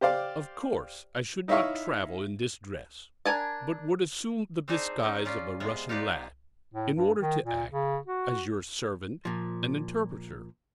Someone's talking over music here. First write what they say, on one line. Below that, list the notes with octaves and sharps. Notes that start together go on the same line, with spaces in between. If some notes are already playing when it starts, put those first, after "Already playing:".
Of course, I should not travel in this dress, but would assume the disguise of a Russian lad, in order to act as your servant and interpreter.
G4 C5 D5 F5
D#4 E4 C#5 E5 F5 C#6
D4 A#4 G#5 A5
C4 D4 D#4 G#4 C5
C#4 D#4
C#4 F4 D5
C3 G#3 B3 F4
D#4 F4 G4 B4 D5
A2
G2
D#3
A#2
C#3
F#4
A#2 F3